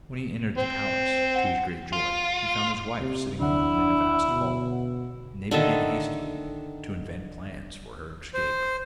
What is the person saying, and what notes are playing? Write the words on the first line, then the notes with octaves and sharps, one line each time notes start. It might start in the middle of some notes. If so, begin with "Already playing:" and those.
When he entered the palace, to his great joy he found his wife sitting alone in a vast hall, and they began hastily to invent plans for her escape.
C4 C5
F#5
F4
C3
D2 D3 D4 E4 F#5
B2
D3 D#3 A4 E5
C5